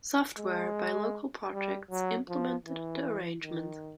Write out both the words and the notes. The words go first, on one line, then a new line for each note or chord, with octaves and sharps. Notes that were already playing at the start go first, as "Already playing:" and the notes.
Software by Local Projects implemented the arrangement.
G#3
G3
F#3
F3
E3
D#3